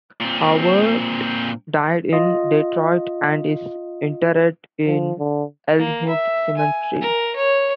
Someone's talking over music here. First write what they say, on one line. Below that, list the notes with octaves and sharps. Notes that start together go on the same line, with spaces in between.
Howard died in Detroit and is interred in Elmwood Cemetery.
A#2 C4
F4 D#5
F3
D3
A#3
E5
G#5
A#4
C#5